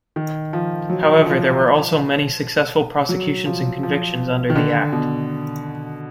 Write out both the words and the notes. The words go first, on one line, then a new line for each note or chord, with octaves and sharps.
However, there were also many successful prosecutions and convictions under the Act.
D#3
F3
F#3
F3
F#3
F3
F3
D#3
D3
B2